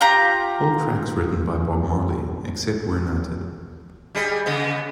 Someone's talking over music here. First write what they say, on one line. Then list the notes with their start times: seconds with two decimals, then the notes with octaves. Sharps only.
All tracks written by Bob Marley, except where noted.
0.01 F4 G4 A#5
4.15 G3 G#4 D#5
4.46 C#3 B3 D#5